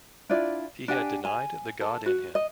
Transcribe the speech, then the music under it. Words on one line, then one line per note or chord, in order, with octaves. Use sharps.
He had denied the God in him.
D4 E4 F4 D5
D4 G4 F#5 G#5
G#5
A4
F#4
D#5